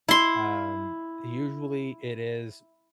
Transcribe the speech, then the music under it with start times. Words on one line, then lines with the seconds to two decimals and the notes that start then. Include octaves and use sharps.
um, usually it is
0.08 E4 C6